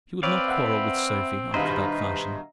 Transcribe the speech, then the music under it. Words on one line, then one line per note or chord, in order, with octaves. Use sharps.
She would not quarrel with Sophie after that fashion.
C4 B4 C#5 D5 F5
E5 F#5 B5
G2 B2 D#3 B4 C5 D#5 E5 A#5